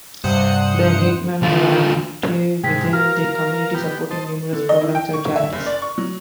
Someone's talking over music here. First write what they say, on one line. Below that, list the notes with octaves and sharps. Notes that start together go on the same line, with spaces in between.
The Hitmen are active within the community, supporting numerous programs and charities.
G2 C3 C5 F#5 D#6 C#7
D3 F4
G#2 C3 G#3 G5 B6
F#4 A#4 F5 F6
B3 G4
C5 D#5 A5
D3
D#5
E4
G5
C#6
E5
F#1
D5
C#6
F#3